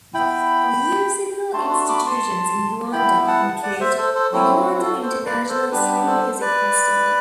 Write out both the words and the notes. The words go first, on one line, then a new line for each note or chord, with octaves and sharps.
Musical institutions in Guangdong include the Guangdong International Summer Music Festival.
B3 E4 G5 B5
A3 D4 F#4 A5 C6
A5 C6
B5 D6
A5 C6
B3 E4 G5 B5
F#5 A5
D5 F#5
C5 E5
A4 C5
A4 C5
F#3 C4 E4 F#4 A4
F#4
F#4 A4
A4 C5
B4 D5
A4 C5
G3 B3 D4 G4 B4
A4 C5
B4 D5